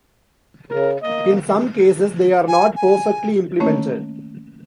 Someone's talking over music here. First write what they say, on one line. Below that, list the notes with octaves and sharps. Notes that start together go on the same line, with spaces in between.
In some cases they are not perfectly implemented.
C#3 A#4
A#3 D#5
G#5
G#5
D#3 A3 A#3 C#4 C#5